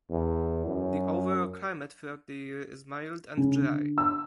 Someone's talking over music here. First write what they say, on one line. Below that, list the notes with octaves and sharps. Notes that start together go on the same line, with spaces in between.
The overall climate throughout the year is mild and dry.
E2
F#2
C#3
D3
E6